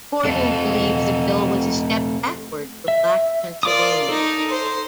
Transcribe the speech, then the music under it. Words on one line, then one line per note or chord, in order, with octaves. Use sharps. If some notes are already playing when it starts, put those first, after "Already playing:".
Forten believed the bill was a step backward for black Pennsylvanians.
A3 C4 A4
E5
F4 A#4 D5 D6 D#6
D#4 A4
C5